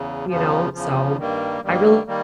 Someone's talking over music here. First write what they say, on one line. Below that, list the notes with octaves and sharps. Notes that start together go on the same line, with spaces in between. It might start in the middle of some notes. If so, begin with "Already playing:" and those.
you know, so I really
Already playing: E2 C#3
E2 C#3 F3
E2 C#3 F3
G2 D#3 G3 A#3
G2 D#3 G3 A#3
D#3 G3 A#3